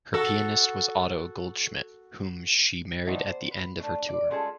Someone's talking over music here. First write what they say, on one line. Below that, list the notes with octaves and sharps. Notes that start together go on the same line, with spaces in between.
Her pianist was Otto Goldschmidt, whom she married at the end of her tour.
F#4 A4
E3 B3 D4 D#4 C5 C#5
C5
B4
A3 D4
D5
G3 G#3 C#4 F4 G#4 A4